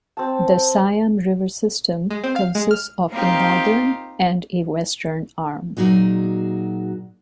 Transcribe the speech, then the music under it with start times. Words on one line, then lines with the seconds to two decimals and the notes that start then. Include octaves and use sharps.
The "Siam River System" consists of a northern and a western arm.
0.17 C4 A5
2.10 G#3
2.24 C4
2.36 F5
2.55 G#3
2.71 F6
3.10 A#3 C4 D#4 F4 G4
5.77 A#2 F#3 D#4 F#4 G#4